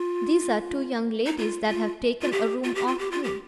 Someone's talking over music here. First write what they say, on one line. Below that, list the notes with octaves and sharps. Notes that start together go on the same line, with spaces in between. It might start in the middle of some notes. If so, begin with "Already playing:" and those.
These are two young ladies that have taken a room off me.
Already playing: F4
D#4
F4
F4
F4
G4
F4
G4
F4
G4
F4
G4